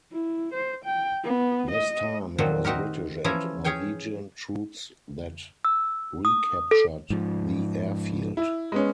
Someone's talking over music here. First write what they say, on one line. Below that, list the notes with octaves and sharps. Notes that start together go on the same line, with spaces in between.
This time, it was British and Norwegian troops that recaptured the airfield.
E4
C5
G5
B3
D#5
A#2 D#3 F3 F#3 C4 F#4
C4 D#4 F#4 G4 A#4
E3 F3 C#4 E4 G#5 A#5
C#4 G#4 C#5 G5 G#5
E6
D#6
A4
G#2 F3
E4
G#3 B3 C#4